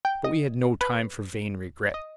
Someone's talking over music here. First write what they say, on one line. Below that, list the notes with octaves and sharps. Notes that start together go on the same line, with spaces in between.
But we had no time for vain regrets.
G5
D#5
B4
D#5